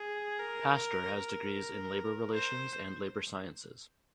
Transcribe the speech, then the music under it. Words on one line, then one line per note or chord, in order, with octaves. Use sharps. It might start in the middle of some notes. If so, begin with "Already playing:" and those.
Pastor has degrees in Labour Relations and Labour Sciences.
Already playing: G#4
A#4
A#4
C5